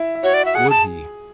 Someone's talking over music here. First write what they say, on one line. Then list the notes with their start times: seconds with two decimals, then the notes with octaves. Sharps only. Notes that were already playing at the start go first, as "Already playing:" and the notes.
Would he!
Already playing: E4 E5
0.15 E5
0.23 F#4 C#5 F#5
0.34 D5
0.45 E5
0.55 G#4 F#5 G#5
0.70 A5